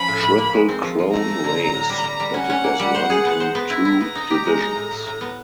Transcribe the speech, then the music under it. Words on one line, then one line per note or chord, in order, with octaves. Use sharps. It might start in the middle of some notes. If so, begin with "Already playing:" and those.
Triple Crown race that it was run in two divisions.
Already playing: F3 C#4 B5
A2
A2
A#3
G#3
C4
F3
F3
A3 A#5
A3
D3
F#3
A2
G3
G3
G3
C#4 F#5
C#4
A#3
G3
C5
G#4
B3
C5
B3 A#5
E4
E4
B3
D#4
G4
G#3
D#4
A2
A2
A2
B3